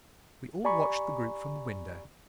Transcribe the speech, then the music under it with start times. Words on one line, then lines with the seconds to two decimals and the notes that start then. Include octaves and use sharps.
We all watched the group from the window.
0.64 G4 D5 G#5 A#5 B5 C#6